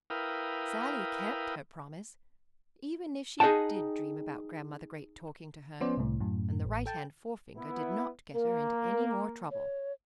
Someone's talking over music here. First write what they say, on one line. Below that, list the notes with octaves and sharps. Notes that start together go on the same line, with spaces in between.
Sallie kept her promise, even if she did dream about Grandmother Great talking to her, and the right-hand forefinger did not get her into any more trouble.
E4 A#4 B4 F5 G5 D#6
D#4 G#4 D#5 F#5 G5 A5
F3 B3 C#4 C5 D5
C2 A2
F#2 A2
A1
A4 G5 A5
B3 E4
A#3 A#4
C#5